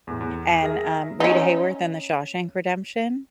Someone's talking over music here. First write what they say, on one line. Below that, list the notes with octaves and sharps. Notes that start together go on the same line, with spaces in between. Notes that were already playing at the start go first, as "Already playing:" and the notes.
and, um, Rita Hayworth in The Shawshank Redemption,
E2 A2
E2
G#4 A#4 E5 A#6
C#4 D#4